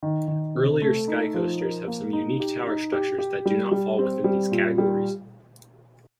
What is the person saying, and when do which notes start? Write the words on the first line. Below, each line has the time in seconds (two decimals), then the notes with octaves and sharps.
Earlier Skycoasters have some unique tower structures that do not fall within these categories.
0.03 D#3
0.28 D#3
0.55 C3
0.82 A3
1.08 D#4
1.34 F3
1.61 A#4
1.87 A#3
2.13 D#4
2.40 G4
2.67 D#4
2.92 G4
3.19 G4
3.46 G3
3.71 G3
3.98 C4
4.24 G3
4.52 A#2
4.78 G3